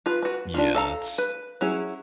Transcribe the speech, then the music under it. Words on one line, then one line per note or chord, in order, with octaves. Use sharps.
Yeah, that's
F4 B4
F#4 B4
D4 D#4 F4
A4 F5 A#5
B4
F#3 C#4 E4 G#4